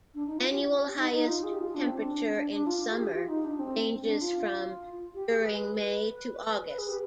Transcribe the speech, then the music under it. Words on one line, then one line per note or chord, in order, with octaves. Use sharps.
Annual highest temperature in summer ranges from during May to August.
D4
D#4
F4
G4
D#4
D#4
F4
G#4
G4
F4
D4
C4
D4
D4
D4
F4
G#4
G4
F4
D#4
D4
C4
C4
D4
F4
G4
G#4
B4
B4
B4
G#4
G4